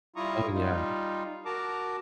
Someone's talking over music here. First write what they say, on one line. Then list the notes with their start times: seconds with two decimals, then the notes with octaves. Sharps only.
oh, yeah.
0.16 G3 E4 F4 A#5 C#6 D#6
0.53 G3 D#4 F4
1.45 F#4 A#4 A5 A#5 D6